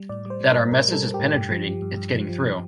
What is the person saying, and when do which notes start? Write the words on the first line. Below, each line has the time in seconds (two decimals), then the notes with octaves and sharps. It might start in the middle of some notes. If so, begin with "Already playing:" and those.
That our message is penetrating, it's getting through.
Already playing: G3
0.09 A2 D5
0.26 G3 C5
0.41 G3
0.51 A#4
0.56 A2
0.72 A2 A#4
0.88 G3 A4
1.03 G3
1.14 G4
1.19 A2
1.35 G2
1.50 F3
1.66 F3
1.82 G2
1.97 G2
2.13 F3
2.29 F3